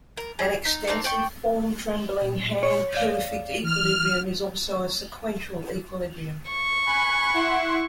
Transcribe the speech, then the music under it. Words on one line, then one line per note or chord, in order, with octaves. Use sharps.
An extensive-form trembling hand perfect equilibrium is also a sequential equilibrium.
A#4
G#4
D#4
A#3 C4 D4 D#4
D5 G5 C#6
A#2
C#5
E2 D5 F5
E3 F6
C#6
G#5 B5 F#6
E4 F#5 C6